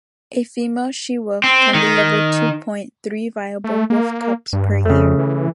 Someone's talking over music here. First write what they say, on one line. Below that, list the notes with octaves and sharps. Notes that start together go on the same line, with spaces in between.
A female she-wolf can deliver two point three viable wolf cubs per year.
C4
D#3
A3
A#3
G2
F2 C#3 A3
E3